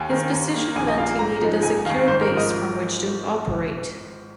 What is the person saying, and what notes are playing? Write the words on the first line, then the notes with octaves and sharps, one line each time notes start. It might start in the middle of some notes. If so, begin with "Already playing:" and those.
His position meant he needed a secure base from which to operate.
Already playing: D#2 G#5
D#3 A#3
D#2
D#3 A#3
A#1 G#5
D#5
A#2 A#3 F5
G#2 A#5
F3 G#3 D#4
F1 G#5
D#2 D#3 F5
G#1 C5
A#4
G#2 F3 G#3
D#5